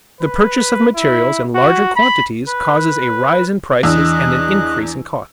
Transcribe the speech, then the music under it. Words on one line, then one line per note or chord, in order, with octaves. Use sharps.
The purchase of materials in larger quantities causes a rise in prices and an increase in costs.
B4
E4
F#4
B5
B4
E2 D4 D#5 E6 F#6